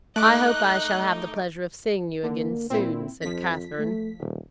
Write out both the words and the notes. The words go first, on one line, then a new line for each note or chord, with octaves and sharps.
"I hope I shall have the pleasure of seeing you again soon," said Catherine.
A3 D#4 D#5 D6 F#6
D3 A#3
A#2 C4 E4
F2 F3 B6
A3
D#1